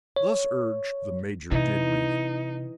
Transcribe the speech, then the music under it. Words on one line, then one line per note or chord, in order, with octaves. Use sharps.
Thus urged, the Major did read it.
C#5
C3 E3 D#4